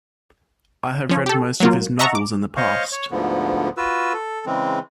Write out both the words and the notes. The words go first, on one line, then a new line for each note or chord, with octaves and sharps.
I have read most of his novels in the past.
F3 C#4
G4 A4
F#3 A#3 F4
D#5 E5 F#5 A5 A#5 C#6
D6
C5 C#5 D#5 F5 C#6
C#5
D2 G#2 D3 F3 B3
F4 F#4 B4 E6
A4
C#3 E3 G#3 C4